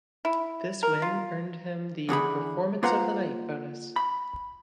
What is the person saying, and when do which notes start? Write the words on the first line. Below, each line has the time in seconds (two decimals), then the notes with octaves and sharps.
This win earned him the "Performance of the Night" bonus.
0.25 E4
0.83 A#4
1.02 F4
2.09 E2 D3 G#4 B5
2.83 A#3 F4 B4 C5 F#5 A#5
3.96 B5